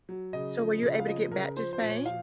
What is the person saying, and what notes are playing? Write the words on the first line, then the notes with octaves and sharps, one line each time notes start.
So were you able to get back to Spain?
F#3
C#3 D#5
F3
C#3
F5
F3 D#5
C#3 A#4
F3 C5
C5
A#2
C#5
F3 F5